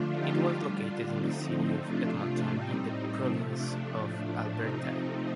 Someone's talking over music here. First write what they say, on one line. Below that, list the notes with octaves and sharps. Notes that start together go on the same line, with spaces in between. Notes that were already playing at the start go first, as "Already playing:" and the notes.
It was located in the city of Edmonton in the province of Alberta.
Already playing: D3 F3 A3 D4 F4
D#4 G4
D3 G3 D4 F4
D3 F3 A3 C4 D#4
C3 F3 A3 D4 F4
A2 G3 C4 D#4
C3 F3 A3
D4
A2 F3 A3 D4
D4
C3 F3 A3 C4 D#4